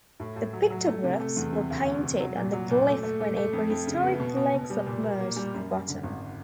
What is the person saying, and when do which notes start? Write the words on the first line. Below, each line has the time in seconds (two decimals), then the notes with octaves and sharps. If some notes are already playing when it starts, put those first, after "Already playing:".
The pictographs were painted on the cliff when a prehistoric lake submerged the bottom.
0.20 A2
0.36 A2
0.53 F#3
0.70 F#3
0.86 A3
1.03 C3
1.20 A3
1.37 E2
1.53 C3
1.70 D2
1.86 D2
2.03 C3
2.20 F#3
2.36 A#2
2.53 F#3
2.70 A#2
2.87 A3
3.03 A3
3.20 A3
3.37 A3
3.53 F2
3.70 F2
3.87 C#3
4.03 B3
4.20 B2
4.37 B2
4.54 B2
4.70 G3
4.86 A#2
5.04 A#3
5.21 A#3
5.36 G3
5.54 F#2
5.70 F#2
5.88 D3
6.03 G#1